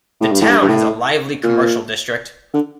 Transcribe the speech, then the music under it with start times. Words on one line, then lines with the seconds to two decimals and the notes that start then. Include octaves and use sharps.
The town has a lively commercial district.
0.21 A2
0.32 G2
0.41 A2
0.49 G2
0.61 G2
0.68 A2
1.43 A#2
2.53 D3